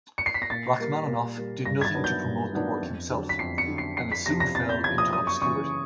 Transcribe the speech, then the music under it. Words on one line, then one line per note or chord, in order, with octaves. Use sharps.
Rachmaninoff did nothing to promote the work himself, and it soon fell into obscurity.
C#7
C7
B6
A#6
A#2 A6
G3 A#3
A#2
G3 A#3
G2 A#6
G#6
A6
D#3 F#3 B3 D4
G6
G2
D#3 F#3 B3 D4
F2
D3 F#3
B6
F2 C7
C#7
D3 F#3
C7
F2 C7
B6
C3 F3 A#6
A#6
F2 A6
G6
C3 F3 G#6
D#6
F#2 D#6
C#6
C#3 E3 C#6